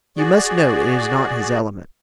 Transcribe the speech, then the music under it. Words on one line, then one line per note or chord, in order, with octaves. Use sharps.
"You must know it is not his element."
F#4 G#4 D5